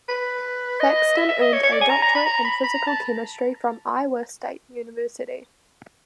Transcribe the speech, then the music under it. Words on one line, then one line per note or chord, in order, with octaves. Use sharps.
Thaxton earned a doctorate in physical chemistry from Iowa State University.
B4
D#5
E5
E5
D#5
C#5
C#5
D5
G#5
A#5
A#5
B5
A#5
B5
B5
A#5
A5